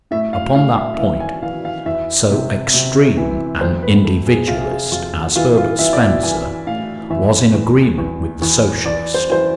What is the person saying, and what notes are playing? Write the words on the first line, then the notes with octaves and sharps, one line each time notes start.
Upon that point so extreme an individualist as Herbert Spencer was in agreement with the Socialist.
A2 E5
F5
A2 F5
E5
E5
E3 F5
G#5
E3 F5
F5
E2 E5
C3
C3
E3
F2 C5
B4
F2 A4
G#4
C3 F4
G#4
F4
F2 F4
E3 F4
F4
E3 E5
D5
E5
E3 G#5
A2 F5
E2 E5
E2
E2
E2
E2 D5
C5
E3 C5